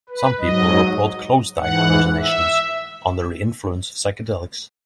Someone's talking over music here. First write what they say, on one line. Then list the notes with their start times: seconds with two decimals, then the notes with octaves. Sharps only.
Some people report closed-eye hallucinations under the influence of psychedelics.
0.09 B4
0.39 G#2 F#3 D#5
1.58 G#2 E3 F#5
2.18 E5